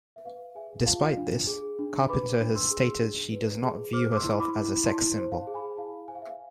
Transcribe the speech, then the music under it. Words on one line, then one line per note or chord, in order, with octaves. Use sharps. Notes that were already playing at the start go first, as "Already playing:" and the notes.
Despite this, Carpenter has stated she does not view herself as a sex symbol.
E5
B4 F5
G#4 E5 G#5
F4 F5 A5
D4
G#4
D4
B4 B5 D6
D4
C6 E6
G#4
D4
B4
G#4
C5 D6 F6
D6
C6 E6
E4
B5 D6
E4
E4 A5 C6
C5
F5 A5
G#4
G#5 B5
E4 F5 A5
C5 G#5
F5
E5
F5